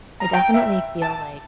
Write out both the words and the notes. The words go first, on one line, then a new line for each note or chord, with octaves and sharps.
I definitely feel like,
A#5
G5
E5
A5